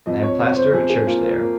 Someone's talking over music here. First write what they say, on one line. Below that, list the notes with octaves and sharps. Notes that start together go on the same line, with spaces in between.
I am pastor of a church there.
F2 D#5
C#5
C3 C#5
C5
F2 G#4
G#4
A#3 F4
F4
A#3